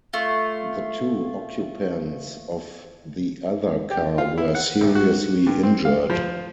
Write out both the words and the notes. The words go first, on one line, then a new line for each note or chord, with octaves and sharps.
The two occupants of the other car were seriously injured.
A3 F4
G4
F4
E4
F#5
A1
F#4
G2
C4
F5
F3